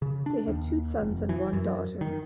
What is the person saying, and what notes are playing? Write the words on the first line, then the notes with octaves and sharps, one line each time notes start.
They had two sons and one daughter.
C#3
D4
D#2
F1
E3
F#2
D#3